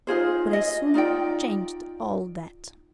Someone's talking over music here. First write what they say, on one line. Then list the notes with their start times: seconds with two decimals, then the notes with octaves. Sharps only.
But I soon changed all that.
0.07 D#4 F4 G#4 C5
0.53 D#5
0.94 D#4 F4 D5 G5